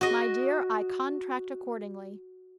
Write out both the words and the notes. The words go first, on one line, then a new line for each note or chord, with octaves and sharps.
"My dear, I contract accordingly."
F#4 D#5